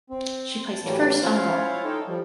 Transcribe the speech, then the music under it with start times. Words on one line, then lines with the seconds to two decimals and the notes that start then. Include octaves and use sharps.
She placed first on vault.
0.10 C4
0.68 A5
0.83 A2 E3 F#3 G3 A#3
1.23 C#4 E4 F4 C5 C#5 F5
1.85 D#4 A4 G5
2.07 F3 G3